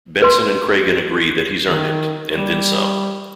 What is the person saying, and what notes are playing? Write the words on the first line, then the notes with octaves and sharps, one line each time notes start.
Benson and Cragen agree that he's earned it "and then some".
B4 C6
D#3
G3